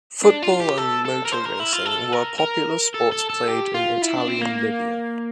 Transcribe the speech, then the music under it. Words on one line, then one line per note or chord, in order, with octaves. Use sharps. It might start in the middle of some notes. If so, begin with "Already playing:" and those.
Football and motor racing were popular sports played in Italian Libya.
D4
F4
G4
A4
A4
A#4
C5
A#4
E4
F4
A4
A#4
A#4
A4
A4
A4
G4
F4
E4
D4
C4
A#3